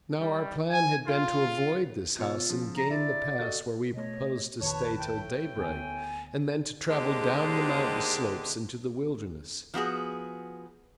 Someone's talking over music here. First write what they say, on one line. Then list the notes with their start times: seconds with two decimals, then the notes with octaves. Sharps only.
Now, our plan had been to avoid this house and gain the pass, where we proposed to stay till daybreak, and then to travel down the mountain slopes into the wilderness.
0.19 G3
0.70 G#5
1.06 F4
2.19 B2 F4 C#5 E6
2.50 C#3 F3
2.77 A#5
2.90 E4 D5
3.40 F#4 A4 D#5
3.94 B2 A3 C#5 D#5
4.61 F1 A#1 D#3 B4 C#5 A5
4.98 A2 G5
5.57 D2 B3 G#5
6.89 D#2 D3 G#3 G4 C5 D#5
9.74 F3 B3 F#4 G#4